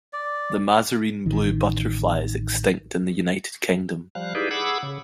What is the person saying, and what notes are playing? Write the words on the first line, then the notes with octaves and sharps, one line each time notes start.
The Mazarine Blue butterfly is extinct in the United Kingdom.
D5
A1 D#3
F3 G3 F5 F#6
D#4 E4 G4 G#4 B4 D5
G#4 F#5 B5 D6 E6
C#3